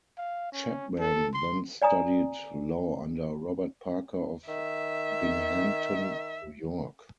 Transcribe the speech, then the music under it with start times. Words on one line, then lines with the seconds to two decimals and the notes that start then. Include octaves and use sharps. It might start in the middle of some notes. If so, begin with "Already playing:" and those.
Chapman then studied law under Robert Parker of Binghamton, New York.
0.18 F5
0.52 C#4
0.99 A4
1.34 C6
1.82 D5 G#5 A#5 D#6
4.48 D#3 E5